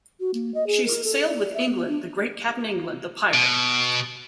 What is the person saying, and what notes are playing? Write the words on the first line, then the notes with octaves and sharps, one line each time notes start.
She's sailed with England-the great Cap'n England, the pirate.
F#4
A#3
D#5
G#4
A#4
A4
D5
E5
B3
D4
B2